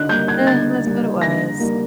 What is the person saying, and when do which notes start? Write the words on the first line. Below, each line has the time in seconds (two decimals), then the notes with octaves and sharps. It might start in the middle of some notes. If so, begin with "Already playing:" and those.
eh, that's what it was.
Already playing: D3 F#6
0.09 G3 A#3 G6
0.28 G#6
0.46 D3 A6
0.84 G3 A#3
1.22 D3 A#6
1.60 G3 A#3